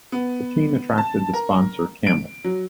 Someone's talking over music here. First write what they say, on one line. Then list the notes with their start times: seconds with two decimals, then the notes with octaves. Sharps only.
The team attracted the sponsor Camel.
0.12 B3
0.98 A5
1.34 A#4
2.07 D7
2.44 F#3